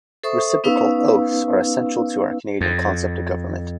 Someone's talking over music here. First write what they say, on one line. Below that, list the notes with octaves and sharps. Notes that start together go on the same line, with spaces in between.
Reciprocal oaths are essential to our Canadian concept of government.
A4 C5 E5 C#6 D#6
B3 C#4 D#4 B4 F5 E6
F2